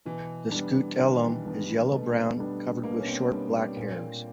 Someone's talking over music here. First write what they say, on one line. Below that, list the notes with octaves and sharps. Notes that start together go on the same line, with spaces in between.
The scutellum is yellow brown covered with short black hairs.
B2 E3
G3 B3 D4
B2 E3
D#3
E3
G3 B3 D4
B2 A3
G3 B3 D4
B2 A#3
C#4
C4
G3 B3 D4
D4
A#2